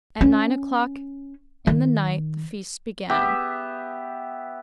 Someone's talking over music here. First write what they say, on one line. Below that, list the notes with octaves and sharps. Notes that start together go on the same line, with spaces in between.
At nine o'clock in the night the feast began.
C#4
D#3
B3 G4 E5